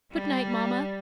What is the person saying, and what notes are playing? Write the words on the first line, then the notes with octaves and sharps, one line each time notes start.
Good night, Mama.
G3